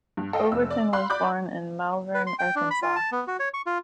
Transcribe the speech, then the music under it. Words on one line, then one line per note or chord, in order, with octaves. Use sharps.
Overton was born in Malvern, Arkansas.
G2
A4 D#5 F5 G5
F1 E6
D5
F5 B5 C6 F#6
D5 B5 D6 F#6 G6
B4
C6
G5
D4
B5
F4
A5
B3
F#4
C#5
C#6
F4